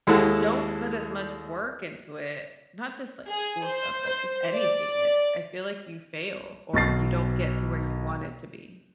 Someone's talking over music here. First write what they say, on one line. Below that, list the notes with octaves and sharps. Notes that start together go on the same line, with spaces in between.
don't put as much work into it, not just, like, school stuff, but just anything, it I feel like you fail or you don't get to where you wanted to be.
D#2 G#3 E4 A4 F#5 A5
G#4
C5
C5
D5
B1 C#6 A6 C7